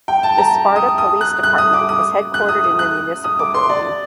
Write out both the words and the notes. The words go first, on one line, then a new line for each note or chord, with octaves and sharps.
The Sparta Police Department is headquartered in the Municipal Building.
G5
A5
A#5
D#6
D#6
F#6
F#6
D#6
D6
D#6
F#6
D#6
D#6
F#6
D#6
D6
C6
D5